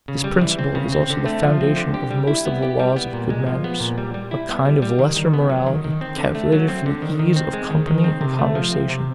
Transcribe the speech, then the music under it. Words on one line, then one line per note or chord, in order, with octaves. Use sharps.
This principle is also the foundation of most of the laws of good manners; a kind of lesser morality, calculated for the ease of company and conversation.
C#3
G3
E3
C4
C#3
C4
D3
A3
F3
C4
D3
G4
G3
E4
B3
G4
G3
B3
A#2
G#3
F3
B3
A#2
G3
G3
E4
B3
G3
G3
D#3
D#3
B3
F#3
D#3
D#3
C4
D3
A3
F#3
C4
D3
D#3
D#3
C4
G#3
D#3
D#3
C4
C3
A3
F3
C4
C3